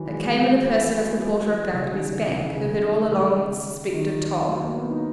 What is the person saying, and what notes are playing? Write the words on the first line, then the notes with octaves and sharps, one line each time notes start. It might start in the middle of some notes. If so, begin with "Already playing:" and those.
It came in the person of the porter of Bounderby's bank, who had all along suspected Tom.
Already playing: D#3 E3 F#3
G#3
F#3
E3
F#3
G#3
G#3
F#3
E3
C#3
D#3
E3
C#3
C#3
D#3
C#3
D#3
F#3
A#3
B3
D#4